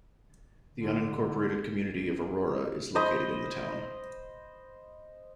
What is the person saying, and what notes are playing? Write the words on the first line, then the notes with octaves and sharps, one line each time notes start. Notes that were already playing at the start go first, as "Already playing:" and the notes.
The unincorporated community of Aurora is located in the town.
D3
C5 D#5 B5